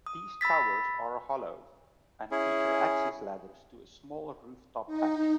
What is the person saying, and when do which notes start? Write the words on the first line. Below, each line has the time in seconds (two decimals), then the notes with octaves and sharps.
These towers are hollow, and feature access ladders to a small roof top hatch.
0.06 D#6
0.41 B5 E6 A6 B6
2.31 C#4 E4 G#4
4.87 D#4